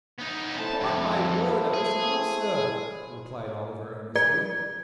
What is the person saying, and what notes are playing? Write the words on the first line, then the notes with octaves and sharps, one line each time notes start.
'Upon my word I was not, sir,' replied Oliver, earnestly.
B3 D#4
E4 A4 C5 A5
F2 A2
G#4
D5